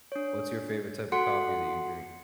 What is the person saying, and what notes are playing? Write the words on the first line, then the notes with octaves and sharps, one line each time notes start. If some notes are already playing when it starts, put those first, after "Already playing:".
what's your favorite type of coffee that you drink?
D4 C#5
F#4 A4 F#5 C6 C#7